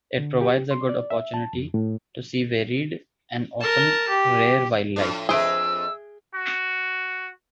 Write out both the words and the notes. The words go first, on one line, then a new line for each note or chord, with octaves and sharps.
It provides a good opportunity to see varied and often rare wildlife.
D3
G4
C6
D5
E5
A5
F2
A2
A#4 A5
G4
A2 F3 D4
F2 G#4 B4 E5 E6 D7 G7
F#4